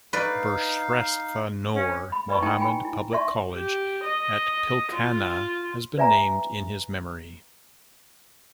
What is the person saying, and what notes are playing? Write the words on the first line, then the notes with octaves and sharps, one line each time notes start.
Birshreshtha Noor Mohammad Public College at Pilkhana has been named in his memory.
D#4 B4 D5 F5
C#4
B5
B4 D5 B5 C#6
D#4 E4 G5 A5 A#5
G5 G#5 B5
E4
D5 E5 A5 C6 C#6
G4
D#5
F4
B4 D5 E5 G#5 A#5